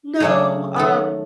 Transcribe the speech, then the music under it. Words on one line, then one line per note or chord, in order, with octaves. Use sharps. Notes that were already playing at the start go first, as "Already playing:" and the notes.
No, um,
C#3 F#3 A3 G#4
D#3 F#3 A3 A4